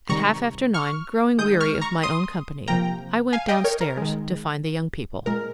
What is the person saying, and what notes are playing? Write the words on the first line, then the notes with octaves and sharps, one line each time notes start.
At half after nine, growing weary of my own company, I went downstairs to find the young people.
C3 D#3 G3 A#5 C#6
C#6 F6
D#3 G#3 D#6 G6
C#6 F6
A#5 C#6
C6 D#6
C3 F3 A#3 G5 A#5
F5 G#5
D#5 G5
A#4 C#5
A#4
D#3 G#3
A#2 G#3 A#4